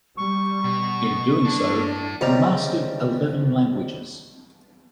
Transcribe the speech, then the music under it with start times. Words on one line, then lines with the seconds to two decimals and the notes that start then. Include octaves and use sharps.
In doing so, he mastered eleven languages.
0.17 G3 C#6
0.64 B2
1.45 G2 D4 E4 A4
2.21 C#2 D#3 F3 G3 A#5